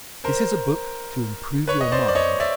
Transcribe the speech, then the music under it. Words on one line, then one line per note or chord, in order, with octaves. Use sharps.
This is a book to improve your mind.
A#4 C5
B4 C#5
D#5
C5 D5
D5
C#5 D#5
D5 E5